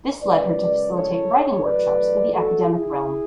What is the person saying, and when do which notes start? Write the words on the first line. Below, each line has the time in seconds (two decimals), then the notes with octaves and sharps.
This lead her to facilitate writing workshops in the academic realm.
0.21 F#2 C#3 G#3 B4 D5
0.92 A4 C#5
1.62 E2 B2 F#3 A3 B4 D5
2.34 F#4 A4
2.69 E4 G#4